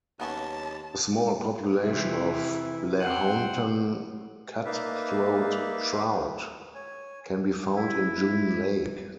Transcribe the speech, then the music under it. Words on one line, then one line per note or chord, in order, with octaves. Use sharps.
A small population of Lahontan cutthroat trout can be found in June Lake.
D#2 F#3 B3 C#4 A5
C3 E3 E4
C4 F#5
A#3 D#4 B4 D5 E5 F5
C#5 G#5
E4